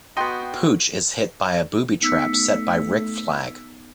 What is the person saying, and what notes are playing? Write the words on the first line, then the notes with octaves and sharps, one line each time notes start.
Pooch is hit by a booby trap set by Rick Flag.
B3 F#4 D#5 G5 C6
A3 B3 D#4 E6 B6 C#7